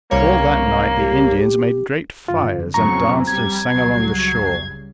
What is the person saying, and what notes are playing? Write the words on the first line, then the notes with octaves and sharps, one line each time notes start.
All that night the Indians made great fires and danced and sang along the shore.
C2 G3 A#3 C#5
G4
F#1 G2 D3 F4
F2 A2 C#3 F#3 B3 C4 A#5 C#6
G3 G#6
C#2 C#3 F#3 G3 C7